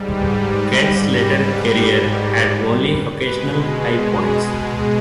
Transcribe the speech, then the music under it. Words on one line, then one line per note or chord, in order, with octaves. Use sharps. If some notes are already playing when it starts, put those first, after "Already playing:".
Kert's later career had only occasional high points.
Already playing: G#2 G3
B4
B4
G4
B4
B4
C5
B4
B2 G#3 B4
G#4